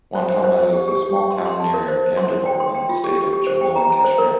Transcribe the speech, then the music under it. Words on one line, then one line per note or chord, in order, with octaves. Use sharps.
Wandhama is a small town near Ganderbal in the state of Jammu and Kashmir.
C5
C5
C5
C5
G4
G4
G4
G4
C6
C6
A5
A#4
C5
C5
C6
C5
G5
C6
G5
F4
G4
G4
G4
C5
G5
A#5
A#5
C5
A#4